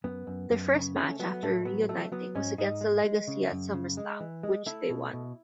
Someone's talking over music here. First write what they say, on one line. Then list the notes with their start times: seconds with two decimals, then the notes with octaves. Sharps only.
Their first match after reuniting was against The Legacy at SummerSlam, which they won.
0.04 F#2 B3
0.27 F#2
0.50 F#2
0.74 C#3
0.96 A3 C#4
1.20 F#3 B3
1.43 A2 A3
1.65 F#3 B3
1.89 F#3 A3
2.12 F#3 B3
2.35 G#2 C#4
2.58 G#2 D#4
2.81 G#3
3.04 G#3
3.28 C#3
3.51 F#2
3.74 C#3
3.97 G#3
4.20 E3
4.43 G#3
4.66 A3 E4
4.90 B2
5.13 B2